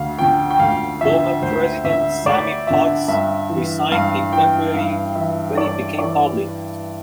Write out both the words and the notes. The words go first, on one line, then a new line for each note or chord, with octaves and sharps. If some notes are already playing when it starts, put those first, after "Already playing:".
Former President Sammie Potts resigned in February when it became public.
Already playing: D2 F5
D3 F3 G5
G5
D2 F5
D3 F3 E5
D2 C5
D3 F3 E5
D2 D5
D3 F3 E5
G2 E5
E3
G2 F5
E3 G5
G2 F5
E3 E5
G2 D5
E3 D5